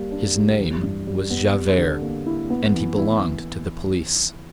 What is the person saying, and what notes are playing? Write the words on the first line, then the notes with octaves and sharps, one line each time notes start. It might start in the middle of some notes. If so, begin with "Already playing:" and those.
His name was Javert, and he belonged to the police.
Already playing: G3 A#3
D4
G3
E3
G2
G3
B3
G3
D3
A#3
E4
B3
E3
E4